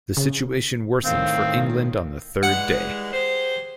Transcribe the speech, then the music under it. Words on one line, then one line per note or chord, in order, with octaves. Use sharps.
The situation worsened for England on the third day.
C#3
A2 D#3 C4 F5
E3 G3 G#3 F#5
G4 G#4 C5